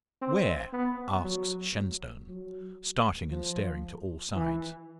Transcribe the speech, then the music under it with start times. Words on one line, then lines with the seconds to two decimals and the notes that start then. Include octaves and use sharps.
"Where?" asks Shenstone, starting and staring to all sides.
0.22 C4
0.73 B3
1.24 F#3
2.28 F#3
3.31 F3
4.35 E3